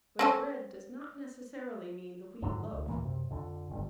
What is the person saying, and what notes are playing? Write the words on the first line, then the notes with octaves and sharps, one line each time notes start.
But "bread" does not necessarily mean the wheat loaf.
C4 C#4 A4
F2 G#2 D3 F#3
D2
D#2 A#2 E3 A#3
F#2 C3
F2 D3
G1 D3 G3